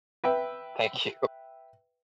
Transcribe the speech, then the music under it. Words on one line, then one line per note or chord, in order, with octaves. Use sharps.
Thank you.
B4 E5 G5